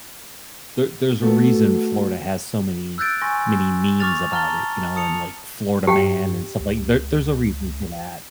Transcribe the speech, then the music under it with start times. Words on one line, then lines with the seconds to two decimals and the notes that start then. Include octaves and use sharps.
There there's a reason Florida has so many, many memes about it, you know, and like Florida man and stuff like there there's a reason for that,
1.22 A3 B3 F#4
2.98 E6 F#6 G6 A6 D7
3.21 G#5 C6 C#6 A#6
3.99 C#6 D6 F6 A6 F7
4.31 A5 A#5 F6 A6 G7
4.95 A5 D#6 C#7 F7
5.87 G2 G4 F#5 G5
6.60 C#2